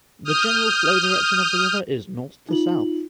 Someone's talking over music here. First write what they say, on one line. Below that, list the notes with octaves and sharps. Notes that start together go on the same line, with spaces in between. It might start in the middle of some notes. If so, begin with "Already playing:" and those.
The general flow direction of the river is north to south.
D#6 F6 G6
D#4 F4 F#7